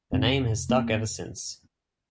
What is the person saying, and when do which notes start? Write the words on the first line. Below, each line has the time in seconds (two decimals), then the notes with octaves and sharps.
The name has stuck ever since.
0.13 F2 C3 C4
0.69 A#3